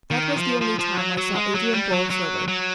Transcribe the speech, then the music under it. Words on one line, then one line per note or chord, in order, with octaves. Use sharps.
That was the only time I saw Adrian Borlsover.
D#3
F3
F3
F3
F#3
F#3
G#3
F#3
G3
F#3
F#3
F#3